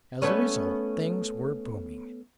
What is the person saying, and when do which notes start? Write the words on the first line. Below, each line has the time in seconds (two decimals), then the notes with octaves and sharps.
As a result things were booming.
0.22 A3 B3 C#4